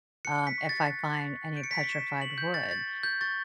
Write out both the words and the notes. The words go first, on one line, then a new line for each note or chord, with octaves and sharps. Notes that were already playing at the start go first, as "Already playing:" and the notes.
um, if I find any petrified wood.
F#6 C#7
B6
C#6
A6
F#6
C#6
G6 D7
C#7
B6
C#7
C#6 E7
C#6 F#7
G6
C#6 A6
A6
C#6
G6
C#6 A6